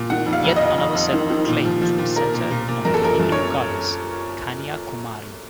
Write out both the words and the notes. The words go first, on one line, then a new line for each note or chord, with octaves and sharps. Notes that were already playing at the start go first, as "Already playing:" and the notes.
Yet another set of claims was centered on the Hindu goddess Kanya Kumari.
Already playing: A#2
D#3 F#5
F2
F5
F2
D#5
F2
F2
F2
D#3
D#3
A#2
F3
F3
A#2
A#2 A#4
A#2
A#2
A#2
F#2 A#4
A4
F3 A#4
F#2
C#5